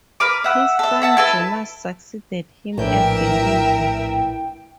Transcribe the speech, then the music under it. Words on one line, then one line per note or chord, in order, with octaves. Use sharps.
His son Jonas succeeded him as the leader.
A#4 B4 D6
E5 F#5
A4 E5
E5 F#5 A5
E4 A4 B4 A5
A#1 A2 E3 D4 A#4 E5 G5 G6